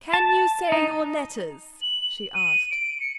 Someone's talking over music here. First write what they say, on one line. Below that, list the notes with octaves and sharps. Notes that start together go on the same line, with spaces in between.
"Can you say your letters?" she asked.
A5
D#4
F#7
D#7
D7
C#7